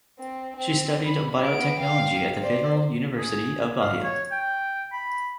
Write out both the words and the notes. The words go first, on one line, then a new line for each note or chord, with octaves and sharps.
She studied Biotechnology at the Federal University of Bahia.
C4
C4
B5
B3 D7
F5 G5
C5 D5
G#4
F5
C#5
G5
B5